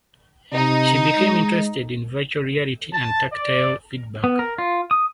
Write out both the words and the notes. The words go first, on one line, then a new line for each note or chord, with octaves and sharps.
She became interested in virtual reality and tactile feedback.
C3 D#4
G#3
A5
D5
B3
A#4
F4
D#6